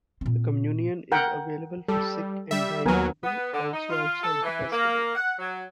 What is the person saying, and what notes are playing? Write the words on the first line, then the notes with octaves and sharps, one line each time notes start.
The communion is available for sick and dying people also outside the festival.
A#2 C4
A#4 F#5 G5
G3 A4
G3 E5
D#2 F#3 B3 A#4 G#5
B3
D3
D#4
F4
A4
E3
A#3
F#5
F#3